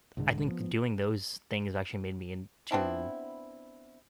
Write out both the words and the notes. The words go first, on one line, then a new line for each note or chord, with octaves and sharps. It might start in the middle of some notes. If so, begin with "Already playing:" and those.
I think doing those things actually made me into
C2 G#2 D3 G#3
F3 B3
B3 C4 D4 E4